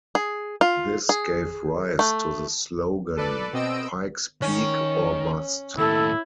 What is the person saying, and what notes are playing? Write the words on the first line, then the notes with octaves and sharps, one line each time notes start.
This gave rise to the slogan, Pike's Peak or Bust.
G#4
F4
G#4
A3
A4 B4 D5
B2 C4 D#5 E6 D7
D#3 C#4
D#2 A2 E4 A4